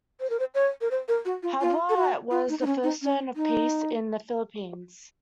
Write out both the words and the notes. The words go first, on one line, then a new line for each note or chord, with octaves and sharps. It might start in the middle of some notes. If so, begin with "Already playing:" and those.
Haba was the first Zone of Peace in the Philippines.
C5
A#4
C5
C#5
A#4
C5
A#4
F#4
F4
F4
A4
F#4
F4
D#4
D#4
C#4
D#4
C#4
D#4